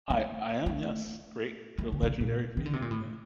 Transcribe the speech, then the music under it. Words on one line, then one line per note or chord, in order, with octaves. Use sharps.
I I am, yes, great, gre legendary comedian, yeah.
A3
A3
A3
D3
D3
C3
A#2
D#3
D3
C3
A#2
A2